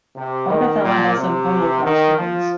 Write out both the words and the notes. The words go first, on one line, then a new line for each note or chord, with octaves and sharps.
Augathella has some polocrosse teams.
C3
D#3
A#2
C3
D#3
F3